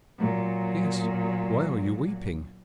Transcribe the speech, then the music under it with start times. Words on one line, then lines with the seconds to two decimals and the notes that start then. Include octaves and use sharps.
'Yes, why are you weeping?'
0.18 A#2 F#3